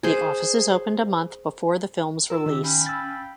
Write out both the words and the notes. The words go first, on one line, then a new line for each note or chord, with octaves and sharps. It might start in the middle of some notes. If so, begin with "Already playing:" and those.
The offices opened a month before the film's release.
G#4 C5
F4 A#4 E6
D#3 G4
C#4 F5 G5 B5
E6 A6